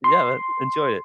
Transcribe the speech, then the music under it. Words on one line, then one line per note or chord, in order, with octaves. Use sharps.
Yeah, that enjoy it.
C6